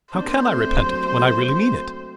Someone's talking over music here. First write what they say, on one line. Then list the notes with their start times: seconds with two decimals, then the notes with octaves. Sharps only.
How can I repent it when I really mean it?
0.14 A#3 D4 C5
0.45 A3 C4
0.75 F#3 A3
1.06 A3 C4